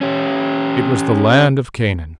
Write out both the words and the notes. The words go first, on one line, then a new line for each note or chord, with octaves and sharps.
It was the land of Canaan.
C#4 G4